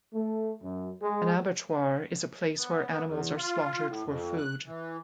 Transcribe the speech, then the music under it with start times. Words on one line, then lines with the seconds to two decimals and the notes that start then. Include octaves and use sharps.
An abattoir is a place where animals are slaughtered for food.
0.13 A3
0.61 F#2
1.02 G#3
2.57 B3
2.89 B3
3.05 E2
3.37 F4
3.87 A2
4.04 F2
4.37 F#6
4.66 E3